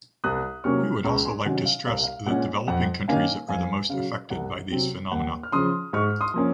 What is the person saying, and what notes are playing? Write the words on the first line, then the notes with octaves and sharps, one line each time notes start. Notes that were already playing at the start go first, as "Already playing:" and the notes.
We would also like to stress that developing countries are the most affected by these phenomena.
C2 D#6 F#6
C3 F#3 A#3 C#4 C#6 F6
C#2 A#5 C#6
G#5 C6
C3 D#3 F#3 C#4 F#5
F5
C2 F5
F5
A#2 G#3 C#4 F#5
F2 F#5
D#3 A#3 C#4 F5 G#5
F2 F5 G#5
C#3 F#3 F5
C2 F#5
C3 F#3 C4
D#2 F#5
F6
C#3 F3 C6 D#6
G#2 C#6 F6
C6 D#6
F3 A#3 C#4